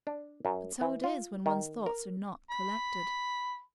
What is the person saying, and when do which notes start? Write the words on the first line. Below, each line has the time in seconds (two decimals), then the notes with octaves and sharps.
But so it is when one's thoughts are not collected.
0.07 D4
0.45 F#2
0.81 E3
1.04 F4
1.46 D#3
1.86 A#4
2.51 B5